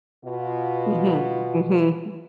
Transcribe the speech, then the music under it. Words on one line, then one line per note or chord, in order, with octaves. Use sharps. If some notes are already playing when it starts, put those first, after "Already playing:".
Mhm. Mhm. Mm.
B2 F4